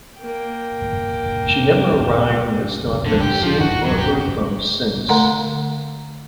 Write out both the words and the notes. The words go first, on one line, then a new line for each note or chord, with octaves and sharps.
She never arrived and has not been seen or heard from since.
A#3 G5
D3
G4
F3
F#4
F#3
G4
D3 A3 A#4 F#5 A#5 C6